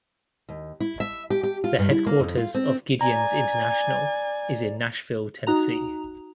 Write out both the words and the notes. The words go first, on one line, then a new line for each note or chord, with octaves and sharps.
The headquarters of Gideons International is in Nashville, Tennessee.
D#2
E4
E5
G4
G4
F4
G2
E4
A#3
F2
F4
C4
D5 G#5 A#5
D#4 F#4 A#5 F7